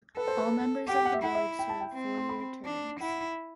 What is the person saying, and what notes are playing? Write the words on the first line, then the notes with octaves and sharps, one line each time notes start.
All members of the board serve four-year terms.
A4 B4
C5
B4
G4 F#5
G5
F#5
E5
E4 F#5
E5
G5
A5
G5
C4
C6
B5
D4
E4 F#5